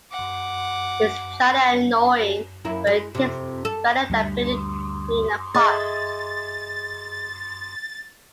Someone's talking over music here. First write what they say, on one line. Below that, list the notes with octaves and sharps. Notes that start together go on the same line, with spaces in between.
It's jolly annoying, but it is better than being the Queen of Hearts.
F#5 D6
F#2 A#3 E4
G#3
F2 C3
A4
D2 G3
G#4 D#5 E5 A6